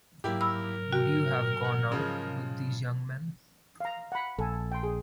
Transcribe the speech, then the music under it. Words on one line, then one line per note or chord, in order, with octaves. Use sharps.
Would you have gone out with these young men?
G#2 F#3 A#3 E4 G4
A#4 B5 E6
F#4 G5
F#5
C#3 F3 G#3
F5 A#5
F#5 B5
A#1 A4 G#5
G5 C6
G#4